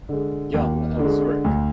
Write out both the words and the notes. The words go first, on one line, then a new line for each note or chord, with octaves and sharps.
Jung of Zurich.
D3 G#3
D#2
D3 G#3
D2